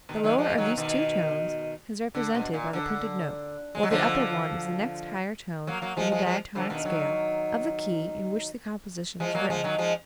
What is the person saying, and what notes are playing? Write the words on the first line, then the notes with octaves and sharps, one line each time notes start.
The lower of these two tones is represented by the printed note, while the upper one is the next higher tone in the diatonic scale of the key in which the composition is written.
B2 D#3
D#3 F#3
F3 G#3
D#3 F#3
B2 D#3
D3
B2
A#2
D3
G#3
F#3
D3 F3
F#3 A#3
F#3 A#3
F3 G#3
F3 G#3
F3 G#3
D3 F3
B2 D#3
D#3 F#3
F3 G#3
F#3 A#3
F3 G#3
D#3 F#3
F3 G#3